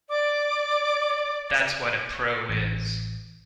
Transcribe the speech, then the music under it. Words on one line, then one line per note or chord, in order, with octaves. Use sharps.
That's what a pro is.
D5 D6
A1